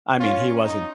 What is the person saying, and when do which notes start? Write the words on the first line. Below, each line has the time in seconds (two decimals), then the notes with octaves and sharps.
I mean, he wasn't
0.20 C#4 F4
0.64 D#4